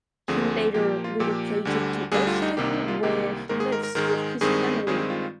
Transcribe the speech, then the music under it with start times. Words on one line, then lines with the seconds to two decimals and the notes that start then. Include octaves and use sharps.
He later relocated to Ostend where he lives with his family.
0.28 D2 D3 F3 C4 G#4
0.74 A#2 F3 A#3 G4
0.89 G4
1.04 F4
1.19 A#2 F3 A#3 G4
1.65 D2 D3 G3
2.12 D2 D3 G3 G#4
2.27 F4
2.42 D#4
2.57 C2 C3 D#3 A#3 G4
2.73 D#4
2.88 F4
3.03 C2 C3 D#3 A#3 G4
3.49 G#2 D#3 G#3 A#4
3.60 G#4
3.72 A#4
3.83 A#4
3.95 G#2 D#3 G#3 A#4
4.41 G2 D#3 G#3 C4 G#4
4.87 G2 D#3 G#3 C4 G#4
5.10 F4